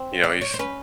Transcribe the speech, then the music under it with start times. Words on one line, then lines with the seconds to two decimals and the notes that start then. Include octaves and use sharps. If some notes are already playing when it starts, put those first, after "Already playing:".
you know, he's,
Already playing: C4
0.24 D5
0.41 C#5
0.54 C5
0.59 C#4 B4